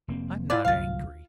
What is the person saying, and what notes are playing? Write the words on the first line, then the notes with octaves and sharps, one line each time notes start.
I am not angry.
F1 A#3 C4
E4 F4 D5
D1 C2 F#3 F4 F5